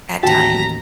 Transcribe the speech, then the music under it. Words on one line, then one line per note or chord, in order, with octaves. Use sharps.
at times.
A1 D#2 F#4 G5 A5 A#5 A6 B6